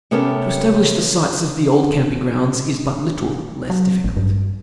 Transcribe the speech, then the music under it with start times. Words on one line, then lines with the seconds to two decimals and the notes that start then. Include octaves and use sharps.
To establish the sites of the old camping grounds is but little less difficult.
0.11 C3 B3 C#4 G4 A4 A#4
3.70 F#3
4.04 A1
4.16 G2